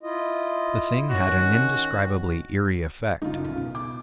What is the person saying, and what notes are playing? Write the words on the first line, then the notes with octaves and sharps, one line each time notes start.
The thing had an indescribably eery effect.
E4 F4 D#5
D#3 C#4 F#4
F#1 D#4 F4
A1 E2 F4
B2
D6